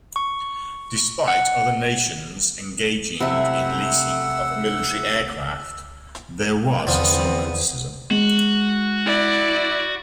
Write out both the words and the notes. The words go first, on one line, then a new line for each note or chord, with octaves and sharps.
Despite other nations engaging in leasing of military aircraft, there was some criticism.
C#6
F#5
C3 A3 E4 E5 F#5 E6
E2 D3 F3 B3 C4 D#6
G#3 F#4
E4 D5